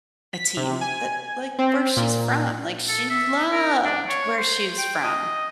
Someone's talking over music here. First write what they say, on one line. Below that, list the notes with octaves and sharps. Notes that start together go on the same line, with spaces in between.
a team that, like, where she's from. Like, she loved where she was from.
B6
C3
G#5
C4
A#2
A4
E5
A#4
D4
C#5
C5
G5
D#5